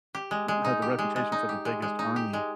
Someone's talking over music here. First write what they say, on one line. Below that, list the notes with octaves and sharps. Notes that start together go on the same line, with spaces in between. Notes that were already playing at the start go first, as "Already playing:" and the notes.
had the reputation for the biggest army.
G4
G#3
G#3
D#4
G4
G#3
G#3
D#4
G4
G#3
G#3
D#4
G4
G#3